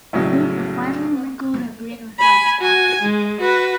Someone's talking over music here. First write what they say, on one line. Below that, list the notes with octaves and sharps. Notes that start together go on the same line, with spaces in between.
The fruit are finely wrinkled and green with white spots.
A#1 A2 C#3 F#3
G#5 B5
F#4 G#5
G#3
F#4 B4